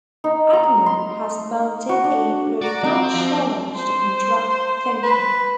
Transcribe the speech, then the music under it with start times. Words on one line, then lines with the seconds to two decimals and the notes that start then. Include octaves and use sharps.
Ackerman has mounted a profound challenge to contract thinking.
0.24 D#4
0.53 A#5
0.86 C6
1.89 F#4
2.04 D4
2.61 F#4 D5 A#5 D6
2.84 C4
3.14 F3
3.74 C5
5.03 B4